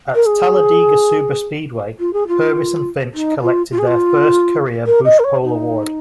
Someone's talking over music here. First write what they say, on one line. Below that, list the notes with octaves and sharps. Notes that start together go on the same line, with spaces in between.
At Talladega Superspeedway, Purvis and Finch collected their first career Busch Pole Award.
A#4
G#4
F4
G#4
F4
D#4
F4
F4
G#4
F4
A#4
D#5
A#4
C#5
D#4